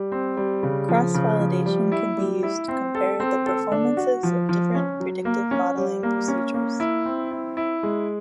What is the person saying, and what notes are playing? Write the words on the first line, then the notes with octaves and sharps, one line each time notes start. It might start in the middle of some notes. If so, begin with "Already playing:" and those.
Cross-validation can be used to compare the performances of different predictive modeling procedures.
Already playing: G3
C4
G3
C#3
F3
C#3
F3
G3
E4
G3
E4
C4
A4
C4
A4
D4
F#4
F3
F3
C#4
F#3
A#3
C#4
G3
A#3
C#4
A#3
E4
C4
E4
E4
G#3